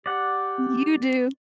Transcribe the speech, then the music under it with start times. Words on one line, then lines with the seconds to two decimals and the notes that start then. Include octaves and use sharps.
You do.
0.06 G4 D5 F#5